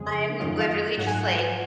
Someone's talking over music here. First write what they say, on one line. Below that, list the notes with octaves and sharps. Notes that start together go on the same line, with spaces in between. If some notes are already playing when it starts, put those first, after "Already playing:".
I'm literally just like
Already playing: F2 C#3 F3 G#3 G#4
G#4
F#2 D#3 F#3 F4
F5
D#5
G#2 F#3 F#5
G#5
F#5